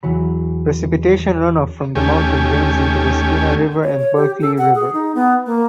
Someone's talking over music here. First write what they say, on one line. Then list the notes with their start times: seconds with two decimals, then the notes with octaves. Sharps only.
Precipitation runoff from the mountain drains into the Skeena River and Bulkley River.
0.03 E2 E3 F#3 B5
1.95 D#2 A3 C#4 G4 G#5
3.83 C#5
3.99 C#5
4.17 G4
4.41 A4
4.58 F#5
4.75 G#4
4.93 D#4
5.15 B3
5.46 A#3